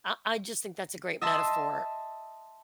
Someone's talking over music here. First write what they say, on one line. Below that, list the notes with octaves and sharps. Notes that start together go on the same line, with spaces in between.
I I just think that's a great metaphor
D#5 E5 A5 C6